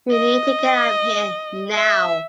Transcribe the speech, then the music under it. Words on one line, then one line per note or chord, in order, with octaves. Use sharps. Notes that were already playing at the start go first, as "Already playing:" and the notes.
We need to get out of here now.
D#5
E5